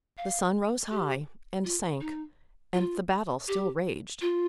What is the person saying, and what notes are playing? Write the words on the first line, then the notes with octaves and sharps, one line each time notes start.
The sun rose high, and sank, and the battle still raged.
F5
G4
F4
D#4
F4
G4
F4